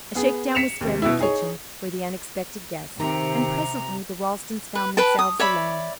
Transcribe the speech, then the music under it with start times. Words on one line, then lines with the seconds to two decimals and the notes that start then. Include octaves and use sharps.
A shakedown was spread in the kitchen for the unexpected guests, and presently the Ralstons found themselves alone.
0.15 B3 G#4
0.55 B6 C#7 E7 F7
0.81 D#2 C3
1.02 B2 E4
1.19 D#4 G#4 C#5
3.00 C3 D#3 A#5
4.75 B4
4.97 B4 G5 A5
5.19 D#6
5.40 C#5 D5 E5 B5